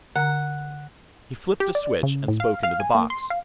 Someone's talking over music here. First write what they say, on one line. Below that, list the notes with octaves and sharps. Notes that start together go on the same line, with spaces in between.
He flipped a switch and spoke into the box.
D3 F#5 A#5
G4
D5
C#3
A2
F5
F5
G#5
A#3
C6
F5